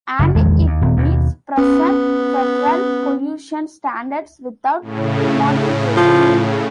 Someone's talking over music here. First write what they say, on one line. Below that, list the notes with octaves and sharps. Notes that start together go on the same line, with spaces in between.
And it meets present federal pollution standards without modification.
F#1 F#2
A#1 E2 D#3 G#3
D#2
D#1
D#2 B2
B3 C#4
A2 C#3
F3